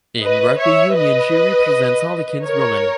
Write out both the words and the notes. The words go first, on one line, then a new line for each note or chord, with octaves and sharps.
In rugby union she represents Harlequins Women.
B4 D#5
C#5 E5
B4 D#5
A#4 C#5